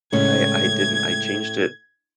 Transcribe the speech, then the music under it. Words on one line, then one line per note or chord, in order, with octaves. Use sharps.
I I didn't, I changed it
A2 C#3 G#3 A3 C#4 G#6